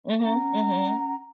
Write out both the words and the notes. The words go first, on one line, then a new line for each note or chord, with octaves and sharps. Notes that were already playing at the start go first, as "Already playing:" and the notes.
Mhm, mhm.
C#4 F#5 A#5